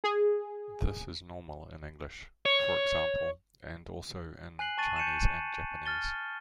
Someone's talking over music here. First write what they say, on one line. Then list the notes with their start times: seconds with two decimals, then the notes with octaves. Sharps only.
This is normal in English, for example, and also in Chinese and Japanese.
0.04 G#4
2.45 C#5
4.59 G#5 F#6 C7 F#7
4.78 A5 C#6 A6 D#7
4.96 G6 C#7 D#7 E7
5.86 F6 A6 G7